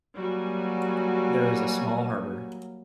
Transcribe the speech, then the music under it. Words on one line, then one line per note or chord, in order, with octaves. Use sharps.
There is a small harbour.
F#3 G3 A#3 F#4 G#5